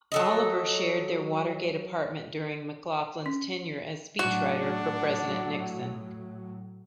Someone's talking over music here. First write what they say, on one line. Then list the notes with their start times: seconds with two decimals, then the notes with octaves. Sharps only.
Oliver shared their Watergate apartment during McLaughlin's tenure as speechwriter for President Nixon.
0.12 F#3 A4 D#5
3.26 C#4
4.19 A2 F#3 D4 F#4 F#5